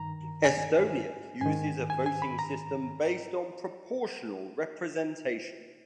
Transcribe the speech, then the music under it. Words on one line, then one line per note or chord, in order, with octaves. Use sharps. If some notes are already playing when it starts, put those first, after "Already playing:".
Estonia uses a voting system based on proportional representation.
Already playing: G2 D#3 A#5
G#5
G#2 D#3 G#5
G#5
G#5
B5
A#5